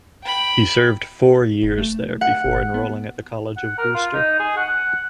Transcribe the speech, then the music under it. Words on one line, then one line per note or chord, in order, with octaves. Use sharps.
He served four years there before enrolling at the College of Wooster.
G5 B5
F1
A3
F#5
G1
B3
F#5
A#4
F4
D#4
G#4
F#5